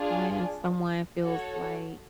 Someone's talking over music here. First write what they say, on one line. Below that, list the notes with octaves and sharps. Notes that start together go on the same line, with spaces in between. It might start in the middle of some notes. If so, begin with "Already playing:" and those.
when someone feels like
Already playing: D4 F4 G#4
F#4 A4 C#5